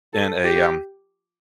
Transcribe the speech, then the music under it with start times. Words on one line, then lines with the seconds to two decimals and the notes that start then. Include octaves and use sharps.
in a, um,
0.13 A4
0.44 G4